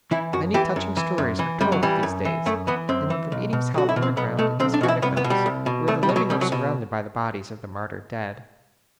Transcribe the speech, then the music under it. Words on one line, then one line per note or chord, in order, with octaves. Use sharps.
Many touching stories are told of these days; and of the meetings held underground in these Catacombs, where the living were surrounded by the bodies of the martyred dead.
E3 E4
F#2 F#4
E3 G4
F#2
E3
F#2
E3
F#2 G3
F#3
E3 G3
F#2
E3
F#2 A3
E3 B3
F#2 C4
E3
B1
B2
B1 F#4
E4
B2
C4
B1 B3
B2 A3
B1 C4
D4
B2 F#4
E4
C2 B3
B3
B2
G3
C2
B2
C2 A3
G3
B2
F#3
C2 G3
F#3
B2